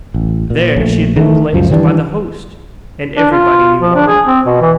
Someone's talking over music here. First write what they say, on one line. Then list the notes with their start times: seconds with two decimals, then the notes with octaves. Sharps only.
There she had been placed by the host; and everybody knew why.
0.14 A1
0.50 A#2
0.76 A#1 A3
1.16 D#3 E3 G#3 A3
1.53 C#2 F#2 F3
1.70 D#3 E3 G3 D4
3.17 D4
3.32 F4
3.82 F3
3.95 D4
4.07 G#4
4.27 C4
4.46 B2
4.61 E3